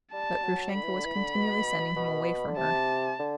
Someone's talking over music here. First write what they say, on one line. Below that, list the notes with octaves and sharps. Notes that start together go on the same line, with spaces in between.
But Grushenka was continually sending him away from her.
G3 A5
F#3
D3 B5
E3
D3
E3
D3
B2
B2
D3
C3 A5
D3